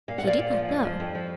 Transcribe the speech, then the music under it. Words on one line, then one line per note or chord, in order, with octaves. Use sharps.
He did not know.
A#2 F5
F#5
A#2 D5 F5
A#2
F3
F2
F3
F2
F3